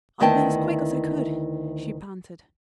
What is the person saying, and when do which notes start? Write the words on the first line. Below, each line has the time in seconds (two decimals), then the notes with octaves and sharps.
"I have been as quick as I could," she panted.
0.20 D2 D#3 B3 E4 G5 A5